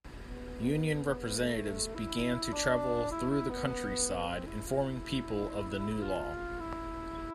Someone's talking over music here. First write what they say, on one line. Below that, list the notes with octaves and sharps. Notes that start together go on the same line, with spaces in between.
Union representatives began to travel through the countryside, informing people of the new law.
B3
A3
E4
D4
E4
E4
B3
C4
E4
F4
E4
F4
E4